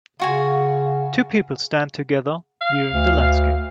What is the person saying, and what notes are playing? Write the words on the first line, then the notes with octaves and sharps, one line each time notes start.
Two people stand together viewing the landscape.
C#3 F4 F#4 G#5
F5
D2